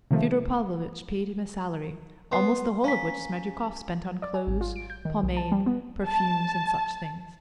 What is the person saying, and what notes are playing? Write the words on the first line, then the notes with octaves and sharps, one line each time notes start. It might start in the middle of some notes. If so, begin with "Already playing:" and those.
Fyodor Pavlovitch paid him a salary, almost the whole of which Smerdyakov spent on clothes, pomade, perfumes, and such things.
C3 D#3 F3 A3
B3 C6 C7
C#4 F5 A#5 B6
D5
G#5
G#1
F4
D7
G6
D#3
B1
A5
G3
B3
A5